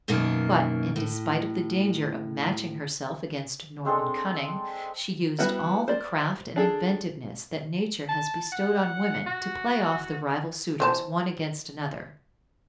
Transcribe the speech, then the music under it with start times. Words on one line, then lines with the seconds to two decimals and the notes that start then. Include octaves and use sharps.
But, in despite of the danger of matching herself against Norman cunning, she used all the craft and inventiveness that Nature has bestowed on women to play off the rival suitors one against another.
0.08 F#2 B2 D#3 A#3
0.96 A2
3.85 G#3 C4 D4 A4
5.39 G3 B3 E4 F#4
5.88 C5 D5
6.56 D4 G#4 A4
8.09 A5
8.52 F#5
9.26 F#4
10.80 E3 C5 A5